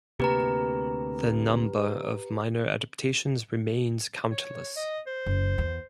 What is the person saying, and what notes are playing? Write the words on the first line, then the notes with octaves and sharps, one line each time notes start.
The number of minor adaptations remains countless.
D2 C3 A#3 G4 B4 A#5
C#5
D#5
C5
F#1
E2